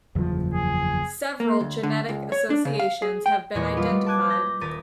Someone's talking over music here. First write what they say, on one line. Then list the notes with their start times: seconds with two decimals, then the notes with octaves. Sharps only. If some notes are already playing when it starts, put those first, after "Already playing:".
Several genetic associations have been identified.
0.15 F#1 E2 F3
0.54 G#4
1.40 A#3
1.60 D2
1.83 D3
2.09 C#2
2.32 C#5
2.50 D4
2.65 C#3
2.79 F5
3.02 G#4
3.26 G5
3.55 E2 A#2 D#5 G#5 C#6 G#6
3.77 G3 F4 B4 D#6 F6
3.89 G3
4.06 A5 D6 F#6 G#6 D#7
4.30 G6 A#6 B6
4.61 D#1 A#4 D#6 A6 B6 D#7